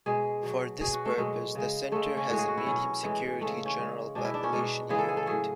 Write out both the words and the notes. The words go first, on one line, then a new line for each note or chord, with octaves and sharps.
For this purpose, the center has a medium security general population unit.
B2 G#3 G#4
B2 F#3
B2 F#3 G#4
F#4
A3
B2 F#3 G#3
C#3 G#3
C#3 G#3 A3
C#4
A2 G#3 F#4
G#4
F#4
E4
B2 F#3 C#4
A2 E3 G#3
C#3 G#3 A3
C#4
C#3 G#3
B2 G#3 D4
E4
D4
C#4
B2 G#3 D4
C#3 E3 G#3 G#4
A4
G#4
A4
A2 F#3 G#4